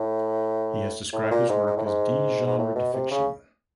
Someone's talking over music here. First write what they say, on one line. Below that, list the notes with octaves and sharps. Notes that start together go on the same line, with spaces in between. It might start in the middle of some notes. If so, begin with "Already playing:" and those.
He has described his work as "de-genred" fiction.
Already playing: A2
A2
A#2
G#2
G#2
A2
G#2
G#2
A2
B2
C3
C#3